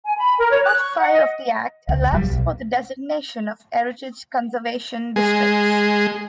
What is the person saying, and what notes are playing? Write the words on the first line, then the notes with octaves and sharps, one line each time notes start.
Part Five of the "Act" allows for the designation of heritage conservation districts.
G#5
B5
A#4
C#5
F#6
C#6
F#5
D#5
C#2
D#1 C#2 F#3 G3
B1
G#3